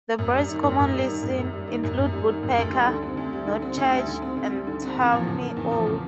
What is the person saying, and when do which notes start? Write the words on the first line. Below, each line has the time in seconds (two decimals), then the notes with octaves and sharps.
The birds commonly seen, include woodpecker, nuthatch, and tawny owl.
0.19 F#2
0.33 G3
0.48 D#3
0.63 F#2
0.78 F#2
0.93 G3
1.08 D#3
1.23 F#2
1.38 F#2
1.53 G3
1.67 D#3
1.83 F#2
1.98 F#2
2.13 G3
2.28 D#3
2.43 F#2
2.58 D2
2.73 G3
2.88 D3
3.02 C4
3.17 D2
3.33 G3
3.47 D3
3.62 C4
3.77 D2
3.92 G3
4.07 D3
4.22 C4
4.37 D2
4.52 G3
4.67 D3
4.82 C4
4.97 E2
5.12 F3
5.27 C#3
5.41 A#3
5.56 E2
5.71 F3
5.87 C#3